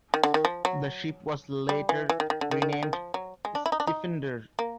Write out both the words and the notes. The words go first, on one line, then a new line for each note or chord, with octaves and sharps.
The ship was later renamed Stifinder.
D#3
D3
D#3
F3
F#3
G3
E3
E3
D#3
D#3
D3
D#3
D#3
D3
D#3
F3
F#3
G#3
D4
E4
D#4
D4
D#4
A#3